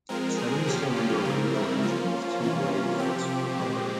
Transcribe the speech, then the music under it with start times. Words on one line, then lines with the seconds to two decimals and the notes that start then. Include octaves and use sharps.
Seven-cylinder radial engine with two-blade fixed propeller.
0.09 F3 G#3 C4 A#4
0.38 G#4
0.67 A#2 F3 A#3 C#4 G4
0.96 F4
1.25 C#3 G3 C4 A#4
1.54 E4
1.83 F3 A#3 C#4 F4
2.42 C3 E3 A#3 C#4
2.99 C3 F3 C4 G4
3.29 G4
3.57 A#2 G#3 C4